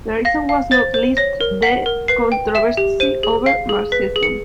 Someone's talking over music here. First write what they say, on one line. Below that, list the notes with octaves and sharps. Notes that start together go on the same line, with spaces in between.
The reason was not least the controversy over Marxism.
F5 A#6
F5
C5 A6
C5
C#5 A#6
A#4
F#5 B6
A#4
B4 C7
G5
E5 E7
G4
C5 D#7
G#4
F5 C7
G#4
B4 B6
G#4
C#7